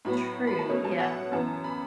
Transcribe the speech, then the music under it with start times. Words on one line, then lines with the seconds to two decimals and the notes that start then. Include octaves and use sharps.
True, yeah.
0.05 A2 F#3 B3 B5
0.47 B5
0.59 A5
0.69 B2 A3 C#4
0.85 A5
1.00 F#5
1.32 F#2 E3 B3 A5
1.64 B5